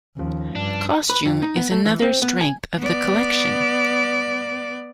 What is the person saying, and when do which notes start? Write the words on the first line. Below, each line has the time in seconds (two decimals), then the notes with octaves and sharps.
Costume is another strength of the collection.
0.17 D#2 C#3 F3
0.55 G2 D4
1.10 B4
1.25 F2
1.42 D#4
1.56 B3
1.71 A3
1.85 E3
2.02 C4
2.22 B3
2.41 G#5
2.79 B3 D5